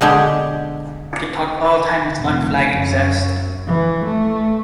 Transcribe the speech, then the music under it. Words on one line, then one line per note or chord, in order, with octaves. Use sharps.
They talked all the time with unflagging zest.
B2 D3 G#3 G4
F1
F#2
E3
A3